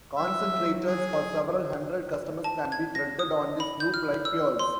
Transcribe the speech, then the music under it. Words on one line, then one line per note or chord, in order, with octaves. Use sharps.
Concentrators for several hundred customers can be threaded on this loop like pearls.
F#3 E5
G#4
A5
G#6
A#6
D#6
B5
G6
F6
E6
C6